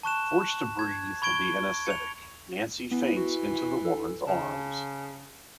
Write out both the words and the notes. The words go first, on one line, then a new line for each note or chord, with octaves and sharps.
Forced to breathe the anesthetic, Nancy faints into the woman's arms.
A5 C#6 F#6 E7
G#6
B5 C#6 G#6 D7 G7
C#7 F7
E3 B3
F#4
A4
C#3 A5